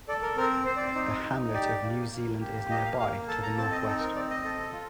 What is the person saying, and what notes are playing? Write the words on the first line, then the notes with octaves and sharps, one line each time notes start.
The hamlet of New Zealand is nearby, to the northwest.
A4 D5
A#4
C4 A#4
C4 C5
D5
C5
D#4
D#4
G4 D5
A#3
A#3
G4
A#3 D#5
F5
A#3 F5
A4 A5
A#5
C4 A5
D#5
D#4 A4
A#4
C4 D5
D#5
A4
F4